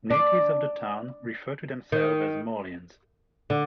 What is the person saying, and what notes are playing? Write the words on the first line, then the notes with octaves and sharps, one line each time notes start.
Natives of the town refer to themselves as Morleians.
D4
D#3
D3